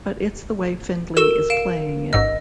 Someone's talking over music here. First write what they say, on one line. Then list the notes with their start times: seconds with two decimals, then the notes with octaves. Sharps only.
But it's the way Findley is playing it.
1.17 F#4 A4 A#4 E6 E7
1.50 F5 D7 E7
2.13 A1 G#2 D#5 E6